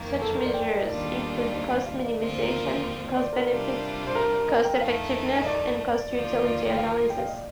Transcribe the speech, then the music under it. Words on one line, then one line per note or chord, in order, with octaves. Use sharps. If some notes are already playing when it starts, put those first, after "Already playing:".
Such measures include cost-minimization, cost-benefit, cost-effectiveness, and cost-utility analysis.
Already playing: F2 D#3 A#3
A4
A#4
C5
D5
G5
D#5
D#2 D#3 G3 D4 F4 D5
C5
D#5
F5
D5
D#2 D3 F3 C4 F4 D#5
C5
A#4
C5
C5
D5
A#4
C3 G3 D4 F4
C5
A#4
D#5
G5
F2 D#3 A3 D#4 F5
D#5
D5
D#2 D3 F3 A#3 F4
D5
G5
F5
G5
F5
D#5
D5